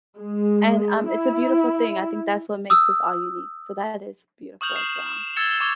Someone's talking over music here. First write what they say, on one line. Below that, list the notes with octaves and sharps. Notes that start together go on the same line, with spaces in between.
And, um, it's a beautiful thing, I think that's what makes us all unique, so that is beautiful as well.
G#3
E4
D#6 E6
C#6 D#6 F6 G6 F7 F#7
D#6 G6 C7 E7
E7
E6 G#6 A6 C#7 E7 G7
C#6 D6 G#6 E7